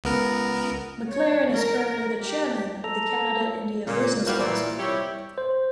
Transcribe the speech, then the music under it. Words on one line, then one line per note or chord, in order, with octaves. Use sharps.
MacLaren is currently the Chairman of the Canada-India Business Council.
C#2 B3 A#4
C#5
A#4
G4
A4 A#5
A#2 C#3
E2 G3 F#4 A#4 C5 F5
A#2 E3 D5
C3 G3 E4 G4 C#5
C5